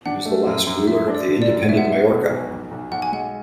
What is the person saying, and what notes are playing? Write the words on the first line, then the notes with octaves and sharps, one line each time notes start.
He was the last ruler of independent Majorca.
D4 F#5
A3
F#2
F#2
F#2 E5
D4
D5
D3
D5
F#2
B2 E5
F#5
G#3 E5
B2
B1
B1
B1
B1 F#5
G#5
G#3 F#5